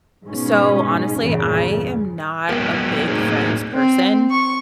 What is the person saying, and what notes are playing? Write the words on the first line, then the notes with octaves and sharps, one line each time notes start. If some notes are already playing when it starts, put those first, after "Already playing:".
So honestly, I am not a big Friends person.
G#2 B2 C#4
E2 G2 A#2 C#3
F#3 G#3 B3 G4 A#4
A2 F#3 A#3 C4 D#4 G#4
C4
C#6